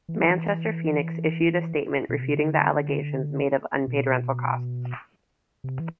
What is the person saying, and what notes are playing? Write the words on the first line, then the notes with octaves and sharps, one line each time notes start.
Manchester Phoenix issued a statement refuting the allegations made of unpaid rental costs.
E3
F#3
E3
B2
C3
D3
B2
C3
E3